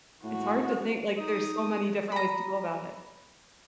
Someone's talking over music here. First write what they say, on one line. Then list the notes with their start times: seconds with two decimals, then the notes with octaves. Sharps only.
It's hard to think, like, there's so many different ways to go about it.
0.24 A2 F#4
1.19 D#4 D#6
2.12 A#5 B5